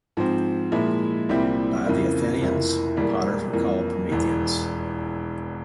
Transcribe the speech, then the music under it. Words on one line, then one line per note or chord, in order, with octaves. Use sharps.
By the Athenians, potters were called Prometheans.
G#2 F3 C4
A#2 F3 G#3 E4
C2 A#2 G3 C4 E4
F2 C#3 E3 A#3 E4
F1 F2 E3 A#3 E4
E1 E2 E3 G3 A#3
F2 E3 A#3
E1 E2 E3